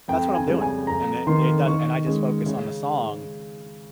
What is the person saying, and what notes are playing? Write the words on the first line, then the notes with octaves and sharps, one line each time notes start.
That's what I'm doing, and it it does and I just focus on the song,
F2 G5
G#5
C#3 G3
G#5
F2 A#5
D#3 A#3 C6
D#3 C#6
G#3 C#4
C#3